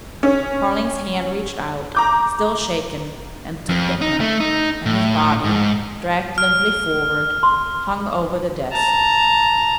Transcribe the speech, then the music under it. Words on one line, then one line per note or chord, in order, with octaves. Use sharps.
Carling's hand reached out, still shaking, and took the pen; and his body, dragged limply forward, hung over the desk.
C#4
A#5 D6 G6
F2
D#4
A3
D#4
A2
G#2
F6
C6
A5 A#5